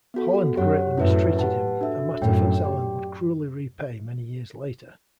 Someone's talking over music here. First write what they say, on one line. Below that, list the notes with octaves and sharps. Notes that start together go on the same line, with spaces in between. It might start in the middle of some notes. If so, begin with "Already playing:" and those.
Holland greatly mistreated him, a matter FitzAlan would cruelly repay many years later.
B3 F#4 A4
F#2 G4 C#5 F#5
F#2 A2 C#4 E4 B4 E5
G4 B4 F#5 A5
D4 F#4 A4 E5
F#2 A2 D4 A4 C#5 G5
G4 D5 G5